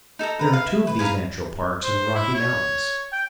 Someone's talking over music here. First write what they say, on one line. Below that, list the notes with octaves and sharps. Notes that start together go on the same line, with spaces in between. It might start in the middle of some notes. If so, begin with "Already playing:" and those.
There are two of these natural Parks in the Rocky Mountains.
D#4 A4 G#5 A#5
B4 A#5
B4 F5
E4
B4
G#4 B4 F5 A#5
C5
E4
C#5
G5